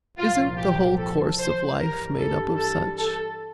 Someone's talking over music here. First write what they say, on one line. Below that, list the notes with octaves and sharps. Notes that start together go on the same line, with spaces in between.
Isn't the whole course of life made up of such?
C2 A#2 F3 F4
G4
A4
C5
G2 E3 G3 A#4
A4
A4
A4